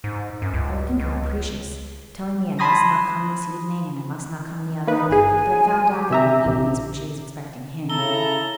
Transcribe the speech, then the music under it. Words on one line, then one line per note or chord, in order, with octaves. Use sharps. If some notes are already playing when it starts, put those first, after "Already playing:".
I would think her capricious--telling me I must not come this evening, and I must not come the other; but I found out they were the evenings when she was expecting him.
G#2
F#2
C#2
C#2
A5 B5 C6 D#6 G#6 A#6
A#3 D#4 B4
G1 G#4 G#5
G4
C3 E5 A#5
A#1 C3
C#3 E4 A4 A#5 G7